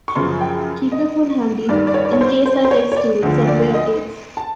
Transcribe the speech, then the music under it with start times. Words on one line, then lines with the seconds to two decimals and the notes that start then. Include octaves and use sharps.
Keep your phone handy in case I text you with subway updates.
0.08 C#6
0.15 F#2 C#3 F3 C6
0.41 G5
0.92 D#5
1.68 G2 D#3 D5
1.87 D5
1.94 C#5
2.05 D5
2.13 C#5
2.21 C5
2.46 C5
2.65 C5
2.71 C#5
2.92 C#5
2.96 D5
3.22 D2 D3 F3
3.48 D5
3.74 D#5
4.37 A5